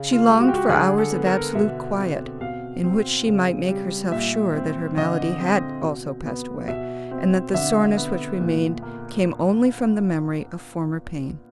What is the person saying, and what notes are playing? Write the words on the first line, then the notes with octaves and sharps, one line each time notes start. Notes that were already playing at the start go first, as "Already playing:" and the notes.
She longed for hours of absolute quiet, in which she might make herself sure that her malady had also passed away, and that the soreness which remained came only from the memory of former pain.
Already playing: C#3
F4
G#3
F#4
G4
F#4
D3 G#4
A4
B3
A#4
B2 E5
C4
B2 F5
C4
C#3
G3
A#2 E5
C4
D3 D#5
C4
B2
B3
B2 E5
C4
D3 E5
B3
A#2
A#3